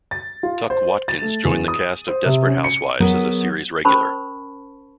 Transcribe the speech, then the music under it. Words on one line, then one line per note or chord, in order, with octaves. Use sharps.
Tuc Watkins joined the cast of "Desperate Housewives" as a series regular.
A6
F4
C5
A6
A3
E2
D#6
C5
C3
C#4
C#7
F#3 B3 G#4 A#4
C#4 A#4 C5 A5 B5 C#6